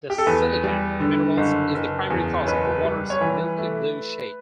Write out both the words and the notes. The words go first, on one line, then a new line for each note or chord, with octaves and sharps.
The silicate minerals is the primary cause of that water's milky blue shade.
G4
A4
E2 B4
G3
D3
F#1
F#1
E2
C#5
F#1 B4
G3
C#5
E3 B4
A3